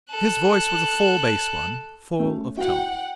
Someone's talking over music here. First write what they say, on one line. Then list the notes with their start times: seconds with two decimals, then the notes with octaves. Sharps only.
His voice was a full bass one, full of tone.
0.11 A4 F#6
2.19 A3 C#4
2.57 E4 F#4 F#5 G5